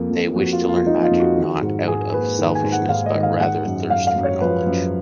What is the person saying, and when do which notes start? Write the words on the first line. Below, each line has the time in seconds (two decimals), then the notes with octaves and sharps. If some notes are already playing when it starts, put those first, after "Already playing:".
They wish to learn magic, not out of selfishness but rather thirst for knowledge.
Already playing: F2 F3 A#3
0.10 F2
0.36 F3 F#4
0.52 F4
0.61 A#3
0.69 F4
0.86 F3 D#4
1.03 F4
1.11 F2
1.20 F#4
1.37 D#3
1.62 G#2
1.88 G#2 G#4
2.13 A#3 B4
2.39 D#3
2.55 G#5
2.64 G#2
2.72 F#5
2.89 G#2 F5
3.06 D#5
3.15 D#3
3.23 F5
3.40 G#3 F#5
3.65 F#2
3.90 F#2 F5
4.07 F5
4.16 F#2
4.24 C#5
4.41 F3 B4
4.67 F#2